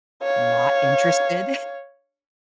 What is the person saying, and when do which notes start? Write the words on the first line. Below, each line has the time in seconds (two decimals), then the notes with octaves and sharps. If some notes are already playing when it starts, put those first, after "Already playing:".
not interested.
0.23 C#5 F5